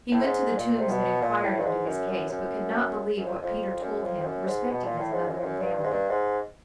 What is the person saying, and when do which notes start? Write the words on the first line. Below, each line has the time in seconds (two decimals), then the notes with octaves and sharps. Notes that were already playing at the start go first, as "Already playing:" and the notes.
He went to the Tombs and inquired into his case, but could not believe what Peter told him respecting his mother and family.
0.12 A2
0.24 G#2
0.56 A#2
0.79 C3
0.89 B2
1.22 A#2
1.42 A2
1.58 G2
1.65 G#2
1.86 F#2
2.08 F#2
2.29 F#2
3.17 F#2
3.25 F2
3.42 F2
3.81 F#2
4.04 F2
4.20 F2
4.25 F#2
4.46 G#2
4.71 B2
4.84 A#2
4.98 A2
5.12 G#2
5.28 F#2
5.37 F2
5.43 F#2
5.60 G2
5.77 G2
5.84 G#2
5.91 G2
6.09 G#2